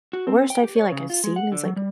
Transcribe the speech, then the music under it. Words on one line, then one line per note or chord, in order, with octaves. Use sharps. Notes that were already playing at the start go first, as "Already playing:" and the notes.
the worst I feel, like, I've seen is, like,
F#4
C4
G5
G4
C#5
C#3
F4
G#3
F#5
D3
F#3
G3